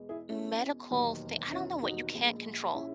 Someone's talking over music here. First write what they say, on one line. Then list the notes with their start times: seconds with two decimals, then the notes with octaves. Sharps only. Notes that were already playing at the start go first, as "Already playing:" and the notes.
medical thin I don't know, what you can't control,
Already playing: E2 B2 G#3
0.09 E4 G#4
0.29 C#4 E4
0.90 E1 D#2 D#3 F#3
1.52 C#4 E4
1.83 D#4 F#4
2.13 A#1 A#2 G#3
2.74 C#4 E4